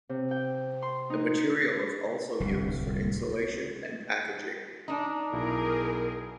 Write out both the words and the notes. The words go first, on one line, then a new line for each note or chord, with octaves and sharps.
The material is also used for insulation and packaging.
C3
G5
C6
D#4
D1 C2 G3
D4 D#4
B1 E4 G#4 A#4